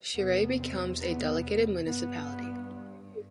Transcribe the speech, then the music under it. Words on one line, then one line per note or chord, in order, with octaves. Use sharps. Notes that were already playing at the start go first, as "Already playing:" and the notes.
Cherré becomes a delegated municipality.
E2 C3 B3
C4
B3
G2 B3